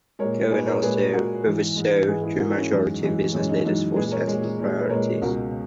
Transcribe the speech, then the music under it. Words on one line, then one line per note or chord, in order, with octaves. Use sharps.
Cohen also oversaw TrueMajority and Business Leaders for Sensible Priorities.
A#2 G#3 A#4 C#5
A#2 G#3 G#4 B4
A#4 C#5
A#2 G#3 G#4 B4
A#2 G#3 F#4 A#4
G#2 E3 G#3
G#2 E3 G#3
G#2 E3 G#3 G#4 B4
E4 G#4
G#2 E3 G#3 F#4 A#4
C#4 E4
F#2 E3 G#3 D#4
F#2 E3 G#3
F#2 E3 G#3 C#4
D#4
F#2 E3 G#3 D#4
A#2 G#3 G#4 B4
A#4 C#5
A#2 G#3
A#2 G#3
B4
A#2 G#3 A#4 C#5
C#2 B2 G#3 F#4 A#4